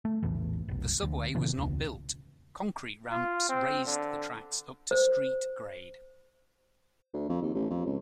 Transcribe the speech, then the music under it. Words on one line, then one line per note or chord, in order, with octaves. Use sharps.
The subway was not built, concrete ramps raised the tracks up to street grade.
A3
A#1 E2 A2 E3
F1 B1
D2
A#2 C#3 E3 B3
E1 C#2
F4
C4
D3
C5
D2
F2
D#2
A1
F2
C#2